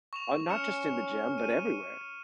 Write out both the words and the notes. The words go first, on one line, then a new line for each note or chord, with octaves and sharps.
Oh, not just in the gym, but everywhere.
C#6 E7 F7
C#4 F6 C#7 E7
D#7